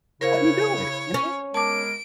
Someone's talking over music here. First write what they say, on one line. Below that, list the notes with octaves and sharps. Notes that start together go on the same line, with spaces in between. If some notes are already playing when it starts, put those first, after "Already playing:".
"Let me do it, you know?"
C#3 E4 A#4 C5 C#5 F5
C#4
G#3 B3 A#4 A5 D6 D7